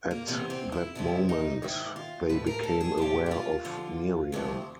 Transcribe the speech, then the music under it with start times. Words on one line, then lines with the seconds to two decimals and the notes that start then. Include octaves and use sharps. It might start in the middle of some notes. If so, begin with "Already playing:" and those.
At that moment they became aware of Miriam.
0.11 A#3
0.27 E2 C3 E3 B3
0.50 C4
0.72 E4
0.95 D2 C3 F3 E4
1.29 D#4
1.62 G#2 D#3 E4
1.96 F4
2.29 A2 F3 B4
2.46 A#4
2.63 A4
2.81 G#4
2.97 A2 F3 G4
3.26 E4
3.31 F4
3.65 F2 D3 F3
4.32 D2 C3 F3